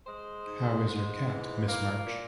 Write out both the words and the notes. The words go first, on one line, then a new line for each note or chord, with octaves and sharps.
How is your cat, Miss March?
G#3 C5
G#2
G#2
E3
A#3
A#2